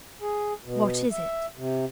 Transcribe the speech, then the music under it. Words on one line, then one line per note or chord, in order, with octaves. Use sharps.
"What is it?"
G#4
B2
E5
C3